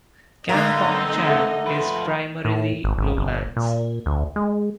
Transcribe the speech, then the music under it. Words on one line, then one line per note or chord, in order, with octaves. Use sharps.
Kampong Cham is primarily lowlands.
G2 D3 G#3 A3 D#4 A#4 D#5
B3 C4
A4 E5 F#5
F3 B4
A2
G#1
G#1
G1
A#2
D2
G#3